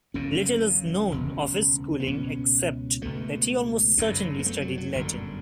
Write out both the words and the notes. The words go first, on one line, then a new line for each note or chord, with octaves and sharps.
Little is known of his schooling except that he almost certainly studied Latin.
F#1 F#2 C#3 C#4
E1 D2 C#3
B3
C#2 B2 C#4
C#2 B2 A3
F#1 F#2 C#3
B3
A3
F#3
F#3
G1 F#2 D3